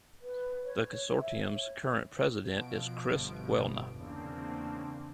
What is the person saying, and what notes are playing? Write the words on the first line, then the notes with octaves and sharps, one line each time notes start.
The consortium's current president is Chris Welna.
B4
C#5
E5
C#5
B2 F3 D7
G1
E2 C#3 A#3 C4 D4